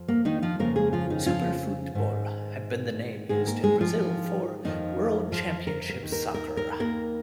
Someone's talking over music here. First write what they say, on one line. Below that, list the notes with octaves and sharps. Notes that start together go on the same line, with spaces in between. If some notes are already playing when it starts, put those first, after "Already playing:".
"Super Futebol" had been the name used in Brazil for "World Championship Soccer".
Already playing: F2 F3
A#3
D#3 D#4
F3 F4
F2 C#3 F3 A#3 A#4
G#3 G#4
F3 F4
D#3 D#4
F3 F4
G#2 D#3
G#2 D#3 G#3 G#4
A#3 A#4
G#3 G#4
F3 F4
F2 D#3 F3 D#4
F3 F4
A#4
A#4
D#2 D#3
A#4
A#4
A#4
A#3 A#4